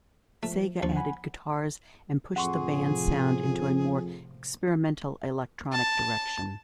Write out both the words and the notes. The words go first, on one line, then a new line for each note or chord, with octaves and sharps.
Sega added guitars and pushed the band's sound into a more experimental electronic direction.
F3 A3
D#2 F3 D4 C#6
F#5 G#5 B5
F2 A2 C3 F3 G#4 F#5 C6 C#6
A5